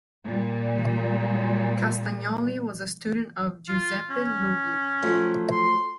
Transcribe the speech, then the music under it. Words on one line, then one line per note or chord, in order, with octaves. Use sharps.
Castagnoli was a student of Giuseppe Lugli.
A#2 G3
F4
C#4
F3 F#3 A3
C6